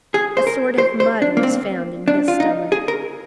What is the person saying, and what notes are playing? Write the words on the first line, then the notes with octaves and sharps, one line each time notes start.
A sort of mud was found in his stomach.
G#4
C5
A#4
C5
C5
D4
A#3
C4
D4
F4
D#4
G#4
A#4